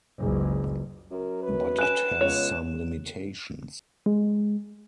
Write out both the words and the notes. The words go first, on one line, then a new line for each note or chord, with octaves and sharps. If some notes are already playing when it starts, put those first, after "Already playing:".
But it has some limitations.
F#1 C#2
F#2 A#4
B4
C#4 G5 G#5 F#6 E7
C#2 B3 C#5
G#3